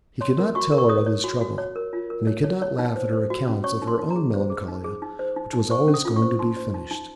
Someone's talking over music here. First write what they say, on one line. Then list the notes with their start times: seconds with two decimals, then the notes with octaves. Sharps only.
He could not tell her of his trouble, and he could not laugh at her accounts of her own Melancolia which was always going to be finished.
0.21 C#5 C6
0.38 A#4
0.55 F#4 C#6
0.72 A#4
0.78 C#6
0.89 C#5 D#6
1.06 C#5
1.24 F#4
1.41 F#4
1.58 C#5
1.76 A#4
1.93 F4
2.10 A#4
2.27 C#5
2.44 C#5
2.62 C#5
2.79 D#4
2.96 C5
3.13 C5
3.30 F#4
3.48 C#4
3.64 C#5 C#6
3.82 D#4
3.87 C6
3.99 D#4
4.10 A#5
4.16 G#4
4.34 C5
4.50 G#4
4.68 D#4
4.84 G#4
5.02 D#4
5.19 C5
5.36 D#4
5.53 D#4
5.70 C5 C#6
5.88 C#4
5.94 D#6
6.05 F4
6.16 C#6
6.22 C5
6.39 D#4 C6
6.57 C5
6.74 D#4
6.91 D#4